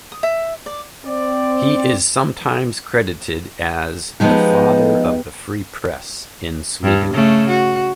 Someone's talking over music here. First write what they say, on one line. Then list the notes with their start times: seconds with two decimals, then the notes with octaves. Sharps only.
He is sometimes credited as the "father of the free press" in Sweden.
0.12 D#6
0.23 E5
0.66 D5
1.06 C4 D5
4.20 F3 G#3 B3 D#4 G4
6.83 G2
7.13 C#3 A3
7.49 F#4